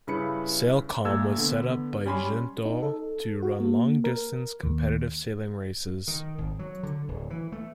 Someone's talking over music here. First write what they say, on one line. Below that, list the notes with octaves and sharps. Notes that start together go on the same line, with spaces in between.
SailCom was set up by Jeantot to run long distance competitive sailing races.
G2 C#3 E4 B4 B5 C#7
A#2 A3 E6 G#6
D3 B3
G3 C#4 G#5 B5 C6
D#4
A4
F#4
A#3
A#4
D#2
D#3
G#1
F#3
D3
D1
E3
A3